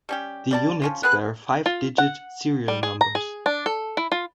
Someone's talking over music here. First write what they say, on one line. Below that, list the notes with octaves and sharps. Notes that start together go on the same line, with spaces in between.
The units bear five-digit serial numbers.
G3 C#4 G4
G3 D5 A5
F3 C#4 F4
B3 G#4 B4 F#6
F4
F#5
G3
G#4
A#5
G#4
D4
A4
E4
F4